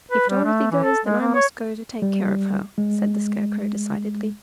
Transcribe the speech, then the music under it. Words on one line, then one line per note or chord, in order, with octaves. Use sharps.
"If Dorothy goes, then I must go to take care of her," said the Scarecrow, decidedly.
B4
G3
A3
E3
A4
G#3
A#3
C#5
G3
G#3